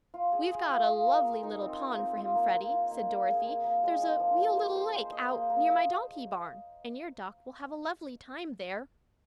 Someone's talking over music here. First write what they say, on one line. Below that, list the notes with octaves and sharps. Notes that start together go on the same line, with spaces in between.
"We've got a lovely little pond for him, Freddie," said Dorothy. "There is a real little lake out near my donkey barn, and your duck will have a lovely time there."
F4
G#4
G#4
F4
F5
A#4
A#4
D#4
C4
F4
C4
F4
A#3
A#3
F4
A#3
A#3
G#4
A#3
A#3
G#3
G#3
F3
F3
C5
C5
C5
D#5
A#3
A#3